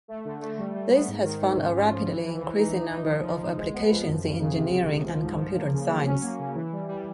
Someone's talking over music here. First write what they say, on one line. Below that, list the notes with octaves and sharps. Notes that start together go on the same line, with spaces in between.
This has found a rapidly increasing number of applications in engineering and computer science.
A3
D3
A3
G3
G3
B3
G#2
D#3
G#2
C#4
F4
F3
E3
E3
E3
D#4
D#4
D#4
F3
F3
F3
G#3
B3
F3
F#2
F#2
C#3
C3
C3
C#2
F3
G#2
F3
A#3
C#3
F#3
C#4
A#3
C#3
E3
G3
G3